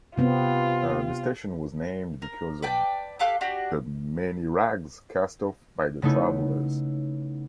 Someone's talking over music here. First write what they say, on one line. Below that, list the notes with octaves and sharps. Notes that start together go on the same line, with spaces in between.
The station was named because of the many rags cast off by the travelers.
C3 B3 C4 F4
A#4
B4 D5 G5 A5
G4 A4 F5 F#6
D4 F#4 G4
C#3 A3 B3 D#4 E4